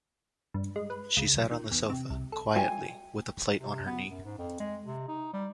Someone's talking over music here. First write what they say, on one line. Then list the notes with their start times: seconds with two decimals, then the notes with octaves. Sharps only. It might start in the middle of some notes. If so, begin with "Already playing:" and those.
She sat on the sofa, quietly, with a plate on her knee.
0.54 G2
0.76 G#3
0.90 B4
1.17 C#2
1.37 B1
1.51 D#3
1.71 E2
1.90 C3
2.10 C2
2.32 A4
2.56 G5 G#5
3.57 C3
3.86 B3
4.10 F#2
4.25 G#2
4.38 F2
4.60 G#3
4.84 C3
5.08 D#4
5.33 G3